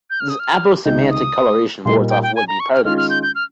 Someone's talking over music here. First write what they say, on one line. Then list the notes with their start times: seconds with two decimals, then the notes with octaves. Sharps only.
This aposematic colouration wards off would-be predators.
0.10 G6
0.20 F6
0.29 D#6
0.39 F6
0.85 C#2 C3 D#3 G#3 D#4 G6
1.10 D#6
1.85 A#2 G3 A#3 D#4 A#4 C6
2.10 G5
2.23 G5
2.35 G#5
2.48 A#5
2.60 C#6
2.73 F6
2.85 D#3 G#3 C#4 F4 F6
2.97 F6
3.10 G6
3.23 G6
3.35 F6